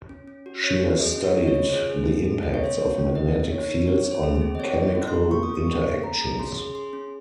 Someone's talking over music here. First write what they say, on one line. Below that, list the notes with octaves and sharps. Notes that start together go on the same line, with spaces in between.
She has studied the impacts of magnetic fields on chemical interactions.
C#4
C#4
F#4
C#4 C#5
F#4
G#4 D#5
C#4
C#5
C#4
D#5
C#5
F4
G#4 C5
G#4
G#4
G#4
C#4 D#5
C#5
C#4 C5
C#5
F#4
C#4
D#4 D#5
D#4
A#3 C#5
D#4
C4 C#5
C4
C5
G#4
C5
C4
D#5
C4 C#5
C4
D#5
F4
C6
F4
A#3 C#6
D#6
C#4
C#6
G#4
A#3
C#4 A#5
G#4
C#4 C6
G#4
G#4 C6
C#4